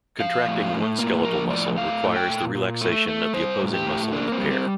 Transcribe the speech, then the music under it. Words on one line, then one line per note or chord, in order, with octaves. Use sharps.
Contracting one skeletal muscle requires the relaxation of the opposing muscle in the pair.
F3 F5
A2
A2
A#3
F3 A#4
A2 D5
A3 F5
A3
G5
A#2
A#2
A3
A3
G3 C5
A2
G4
A2
A#3 D4
C4
G3
C4